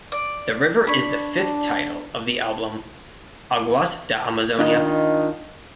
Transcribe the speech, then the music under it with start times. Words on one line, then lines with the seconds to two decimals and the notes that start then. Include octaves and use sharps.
The river is the fifth title of the album Aguas da Amazonia.
0.12 D5
0.87 D4 C#5 B5
4.59 D#3 D4 F4 D#5